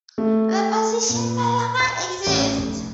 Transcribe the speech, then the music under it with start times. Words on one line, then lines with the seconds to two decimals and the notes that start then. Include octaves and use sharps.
The position no longer exists.
0.18 A3
1.09 A#2
1.80 A6
2.27 A1
2.57 F1